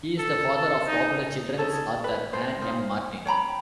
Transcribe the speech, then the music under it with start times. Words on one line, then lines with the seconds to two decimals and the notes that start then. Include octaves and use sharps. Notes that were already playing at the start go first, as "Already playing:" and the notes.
He is the father of popular children's author Ann M. Martin.
0.19 A4
0.57 A4
0.87 D#4
1.58 D#4 G#4 A4 C#5
2.04 B4
2.33 C5
2.62 D#4 F4 C5
3.25 C#5 G5 A#5 B5